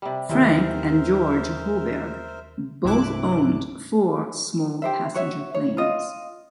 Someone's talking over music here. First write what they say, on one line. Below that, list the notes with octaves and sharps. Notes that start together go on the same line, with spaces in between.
Frank and George Hoberg both owned four small passenger planes.
C3 G3
D#2 C3 E3 A#4 C5 E5
C2 G2 C3 E4 D6 F#6
G4 C5 E5
F#4 C#5 E5
C#5
F4 D#5